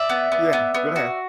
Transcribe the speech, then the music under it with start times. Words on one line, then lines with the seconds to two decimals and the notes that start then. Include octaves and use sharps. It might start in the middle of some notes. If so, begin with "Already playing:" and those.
Yeah, go ahead.
Already playing: D5 E5
0.09 B3
0.32 B3
0.53 B3
0.74 B3
0.96 F#4